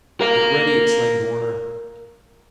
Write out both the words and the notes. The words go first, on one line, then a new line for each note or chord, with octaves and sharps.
"Get ready!" exclaimed Warner.
A#4 F5